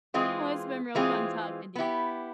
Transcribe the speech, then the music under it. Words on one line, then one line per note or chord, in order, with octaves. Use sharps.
Well, it's been real fun talking to you.
E3 G#3 C4 F4 G#4
E3 G#3 C4 F4 G#4
B3 E4 G4